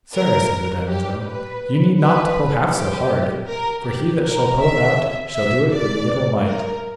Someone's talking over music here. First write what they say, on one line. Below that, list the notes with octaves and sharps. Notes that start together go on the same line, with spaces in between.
Sir, said the damosel, you need not to pull half so hard, for he that shall pull it out shall do it with little might.
A#4
G4
B4
B4
G4
A#4
G4
A#4
E5
E5
D5
A#4